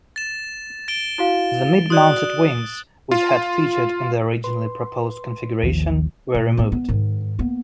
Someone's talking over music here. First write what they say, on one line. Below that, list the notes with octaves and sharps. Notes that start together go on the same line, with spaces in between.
The mid-mounted wings which had featured in the originally proposed configuration were removed.
A6 E7
A6 D7 G7
E4 F#4 F5
F#4 D5 D#6 F#6
F4
B4 C6
A1 D#2 D#3 F3
A#2
A2 B3
B3
G#2 D#3
A#3 B3